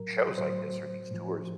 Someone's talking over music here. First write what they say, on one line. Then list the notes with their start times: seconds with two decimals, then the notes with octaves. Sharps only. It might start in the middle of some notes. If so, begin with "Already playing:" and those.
shows like this or these tours."
Already playing: A2 F#3 A#4
0.38 A2 F#3 C5
1.11 A2 F3